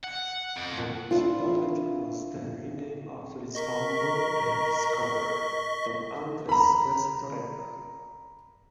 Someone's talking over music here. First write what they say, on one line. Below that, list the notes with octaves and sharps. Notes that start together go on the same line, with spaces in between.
The municipality was then renamed after its founder and discoverer, Don Andres Garchitorena.
F#5
F2
D4 E4 F4
A#4 D#5 C#6 B6
A#5 B5